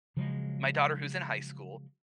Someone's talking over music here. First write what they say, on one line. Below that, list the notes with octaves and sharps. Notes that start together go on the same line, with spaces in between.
my daughter who's in high school
C#3 F3 F#3 G#3